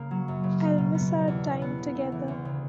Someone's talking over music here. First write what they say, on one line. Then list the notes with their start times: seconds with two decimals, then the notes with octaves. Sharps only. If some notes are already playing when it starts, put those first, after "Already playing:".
I will miss our time together.
Already playing: C#3 A#3
0.11 F#3
0.28 F#2
0.44 C#3
0.61 A#3
0.78 B2
0.95 B3
1.11 G3
1.28 E2
1.45 B2
1.62 B3
1.79 C#3
1.95 A3
2.12 E3
2.28 D2
2.45 C#3